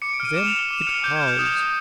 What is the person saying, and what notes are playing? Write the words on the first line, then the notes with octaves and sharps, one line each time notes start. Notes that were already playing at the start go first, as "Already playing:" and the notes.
Then it howls!
D6 C#7
D7
F6 D#7
D6 E7
F7
F6
G7
D6 E7
F6 C#7
D6 G6
F6 G#6
G6
D#6
G6